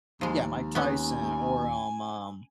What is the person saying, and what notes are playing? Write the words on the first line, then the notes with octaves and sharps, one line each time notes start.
Yeah, Mike Tyson or, um, um
D#2 F3 G#3
B3 C#4 G#5